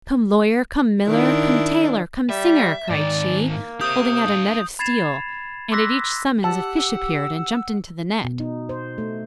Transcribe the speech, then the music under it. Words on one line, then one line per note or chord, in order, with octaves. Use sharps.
'Come lawyer, come miller, come tailor, come singer!' cried she, holding out a net of steel; and at each summons a fish appeared and jumped into the net.
D#3 D4 E4
G3 E5
G#2 D#3 D5
A#3
G4 C5 D#6 G6
D4 F5
B5 G#6 A6 C7 E7 F7
C6 D6 E6 F#6 A#6 B6
G4 F#5 A5 E6
B2
D#4
C5
A3